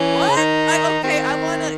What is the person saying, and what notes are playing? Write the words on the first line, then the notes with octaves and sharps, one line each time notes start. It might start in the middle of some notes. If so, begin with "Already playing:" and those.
What? I okay, I wanna
Already playing: E3 C#4
C#3
D#3 D#4
D#3 C4